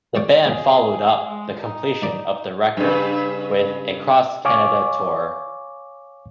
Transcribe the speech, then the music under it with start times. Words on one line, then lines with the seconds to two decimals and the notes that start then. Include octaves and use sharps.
The band followed up the completion of the record with a cross-Canada tour.
0.15 G#4 C#5 D5
0.46 E2 B2 F3 G#4
1.27 G#3
1.60 D#4
2.02 G2 D5 B5
2.77 G2 C#3
4.45 C#5 F5 G#5 C#6 D6